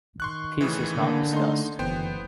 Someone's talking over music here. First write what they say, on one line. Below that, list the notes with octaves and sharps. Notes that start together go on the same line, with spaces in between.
Peace is not discussed.
D#3 C6 C#6 F#6
A2 C#3 E3
D3 A#3
A3 D#4 C6
F#1 E3 B3 C5 G5